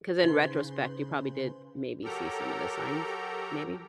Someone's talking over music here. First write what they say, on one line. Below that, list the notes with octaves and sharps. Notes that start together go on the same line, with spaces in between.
'cause in retrospect, you probably did maybe see some of the signs, maybe.
C#3 D#4 B4 C5 C6
F#3 G4 A4 A#4 A#5